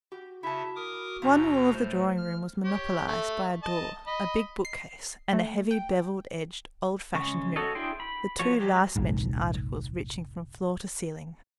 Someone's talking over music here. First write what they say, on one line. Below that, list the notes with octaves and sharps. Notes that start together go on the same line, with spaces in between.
One wall of the drawing-room was monopolized by a door, a big bookcase, and a heavy bevelled-edged old-fashioned mirror--the two last-mentioned articles reaching from floor to ceiling.
F#4 G4
C#3 E4 E5 A5
A#4 D6 D#6
D#2 B2 F3 D4 G#5 A#5
A2 A3 C5
F6
G4 C#5
A3
D#5 A5
D#5 B5
C7
A3
G5
C#3 G#3 C#6
F#4 A4 C#5 D#5
D4 E4 G#4 G5 C6
B5
F3 F#4 C#5
F#3 G#3 G4
F1 A#1 G#2